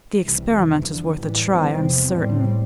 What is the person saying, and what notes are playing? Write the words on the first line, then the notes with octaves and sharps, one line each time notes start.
The experiment is worth a try I'm certain.
C2 C3 E3 G3
E2 C3 E3
E2 D3 F3
A2 E3 G3
E2 E3 G3 C4
E2 C3 F3
A2 G3 C4